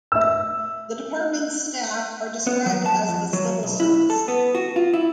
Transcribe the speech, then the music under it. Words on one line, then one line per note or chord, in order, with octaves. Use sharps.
The departments' staff are described as the civil service.
E5 E6
B3
F#3
A5
F2
F#3
B1
E4
A4
B3
F#4
F4
E4